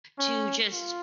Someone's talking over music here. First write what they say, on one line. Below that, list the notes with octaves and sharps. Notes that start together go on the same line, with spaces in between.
to, just,
C#4
F4